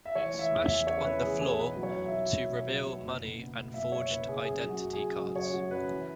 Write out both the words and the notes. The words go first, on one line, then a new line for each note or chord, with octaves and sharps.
It smashed on the floor to reveal money and forged identity cards.
E5
E3 C#5
E3
E5
E2
E5
E2
C#3 C#5
C#5
E3 B4
E2 G#4
E3 G#4
B1 B4
F#3
C#5
B1
E5
F#3
F#3
B2
F#3
B2
F#1
F#1
B3
B2
F#1 E5
F#1 C#5
F#1 B4
B3 G#4
F#2 G#4
F#3
F#4
F#2
G#4
C#3
F#3
F#2 C#5
F#3 F#4
F#2 B4
E3